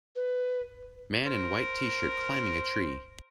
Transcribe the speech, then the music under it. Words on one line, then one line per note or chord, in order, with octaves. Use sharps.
Man in white tshirt climbing a tree.
B4
A#4 C5